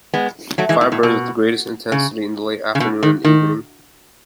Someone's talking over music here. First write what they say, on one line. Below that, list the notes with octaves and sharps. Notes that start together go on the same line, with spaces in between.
Fires burn with the greatest intensity in the late afternoon and evening.
G#3 B3
F#3 A3
E3 G#3
A2
A2
B2
C#3
C#3
B2
D#3
D#3